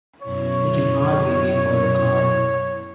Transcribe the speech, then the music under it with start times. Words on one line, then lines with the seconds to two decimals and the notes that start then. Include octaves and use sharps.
It can hardly be called a card.
0.22 F#2 B2 E4 C#5